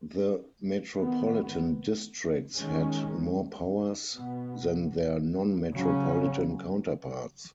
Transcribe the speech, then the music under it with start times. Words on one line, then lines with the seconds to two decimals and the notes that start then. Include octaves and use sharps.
The metropolitan districts had more powers than their non-metropolitan counterparts.
0.96 D#3 B3
2.55 D#3 G#3 C#4
4.14 B2 B3
5.73 C#3 F#3 C#4